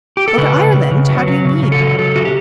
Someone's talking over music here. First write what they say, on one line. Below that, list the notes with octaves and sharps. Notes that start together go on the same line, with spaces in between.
"Go to Ireland!--How do you mean?"
G4
A4
C#3 B4
C#3
C#3
C#3
F#3
F#3
C#3
C#3
A4
F#3
F#3 A4
C#3 F#4
G4